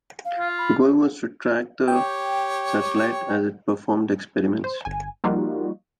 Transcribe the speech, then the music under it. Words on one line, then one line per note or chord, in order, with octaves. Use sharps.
The goal was to track the satellite as it performed experiments.
F5
F4
B5
G4 C#5 G5
C5
G1 G#5
F3 G3 A#3 D#4 F4 F#4